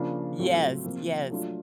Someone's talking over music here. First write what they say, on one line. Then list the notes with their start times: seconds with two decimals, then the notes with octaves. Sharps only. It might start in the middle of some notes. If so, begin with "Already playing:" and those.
Yes. Yes.
Already playing: C#3 F3 A#3 D4 F4
0.38 A2 F#3 A3 C4 F4
0.84 C3 F3 A#3
1.30 F#3 A3 D4 F4